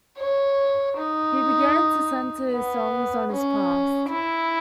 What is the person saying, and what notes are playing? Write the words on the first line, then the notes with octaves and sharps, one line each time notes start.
He began to centre his songs on his past.
C#5
D#4
B3
C#4
E4